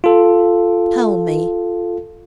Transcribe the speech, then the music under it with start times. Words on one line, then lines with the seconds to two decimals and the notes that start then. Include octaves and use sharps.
"Tell me!"
0.04 F4 A4